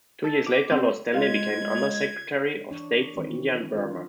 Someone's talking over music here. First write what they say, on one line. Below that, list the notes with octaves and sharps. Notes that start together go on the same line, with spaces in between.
Two years later, Lord Stanley became Under-Secretary of State for India and Burma.
A4
D6
C4
G#3 F4 G#6
E3 D4 C#5
D#3 E3 C4
D4 F4